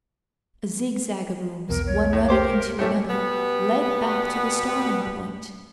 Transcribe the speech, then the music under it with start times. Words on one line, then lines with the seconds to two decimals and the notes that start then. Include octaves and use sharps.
A zigzag of rooms, one running into another, led back to the starting-point.
1.69 B1 E2 B2 A#4
1.87 C#5
2.13 A2
2.28 G4 A#4 C5 D6
2.79 A2 A3 G4 G#4 G6 C#7
3.09 B2 G3 B3 G4 B4